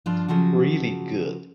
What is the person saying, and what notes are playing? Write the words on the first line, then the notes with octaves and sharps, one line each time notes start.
Really good.
G2 F3 D4 F4
C#3 F3 F#3 F#4